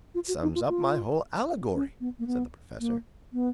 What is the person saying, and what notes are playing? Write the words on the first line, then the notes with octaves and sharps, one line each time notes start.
"It sums up my whole allegory," said the professor.
F4
F#4
D#4
F4
F4
C#4
B3
A#3
B3
A#3
B3